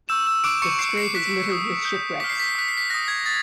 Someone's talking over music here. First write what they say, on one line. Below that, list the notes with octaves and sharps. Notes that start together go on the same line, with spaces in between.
The strait is littered with shipwrecks.
C#6 E6 G6 E7
E6 E7
C#6 D6 F#6 D7
C#6 C#7
C#6 E6 G6 C7
C7
D6 F#6 B6
D#6 F#6
D#6 G6
D6 F6 B6
C7
B6
C7
D#6 F#6 B6
C7
B6
D#6 F#6 A#6
G#6
D#6 A6